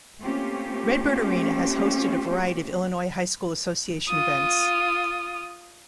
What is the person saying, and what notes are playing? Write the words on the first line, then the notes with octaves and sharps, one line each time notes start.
Redbird Arena has hosted a variety of Illinois High School Association events.
A3 A#3 C4 C#4 F4 G4
F4 D#6